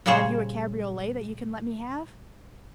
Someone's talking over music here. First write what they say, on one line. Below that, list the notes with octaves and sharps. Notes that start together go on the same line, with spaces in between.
"Have you a cabriolet that you can let me have?"
A#2 C#3 G3 G#4 C5 C#5